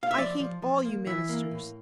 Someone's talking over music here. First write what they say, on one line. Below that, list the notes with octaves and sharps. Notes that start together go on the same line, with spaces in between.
I hate all you ministers.
F5
E5
F3 D5
F3
F3
A#3
E3 E5
A#3
A2